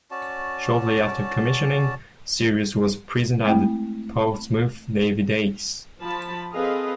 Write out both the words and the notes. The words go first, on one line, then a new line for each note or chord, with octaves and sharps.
Shortly after commissioning "Sirius" was present at Portsmouth Navy Days.
C#4 F#4 D5 A5
G#3 A3 C4 E4 G5
F3 A5 B5
C4 G#4 A4 B4 D#5 F5